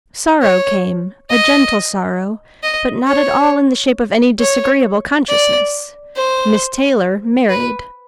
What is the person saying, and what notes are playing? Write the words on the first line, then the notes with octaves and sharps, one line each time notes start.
Sorrow came--a gentle sorrow--but not at all in the shape of any disagreeable consciousness.--Miss Taylor married.
C#5
D#5
D#5
C#5
C#5
D5
C5
B4